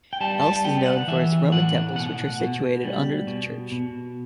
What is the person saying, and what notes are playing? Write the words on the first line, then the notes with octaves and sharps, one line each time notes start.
Elst is known for its Roman temples, which are situated under the church.
G5
G3 A5
A5
B3 G5
F#5
E3 E5
A2 F#5
B2 F#5
B2
G3
B2
B2